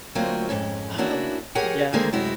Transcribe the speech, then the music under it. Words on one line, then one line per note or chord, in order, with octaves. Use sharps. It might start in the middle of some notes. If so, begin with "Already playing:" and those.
um, yeah.
D2 F#3 A#3 C4 F4
F2 G#2 C#4
A#3 C#4 D4 E4 F#4
G4 G#4 A#4 C#5 F#5 G#5
D3 D#3 G#3 A#3 G#4 C5
F#2 C3 G#3 E4 F#4